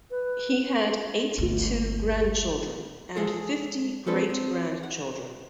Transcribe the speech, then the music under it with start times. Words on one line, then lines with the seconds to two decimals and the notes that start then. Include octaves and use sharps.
He had eighty-two grandchildren and fifty great grandchildren.
0.11 B4
1.38 G1 D2
3.16 G#3 G#4 A4
4.06 F3 G#3 C4 D4 A4 B4
4.30 C4
4.83 F#5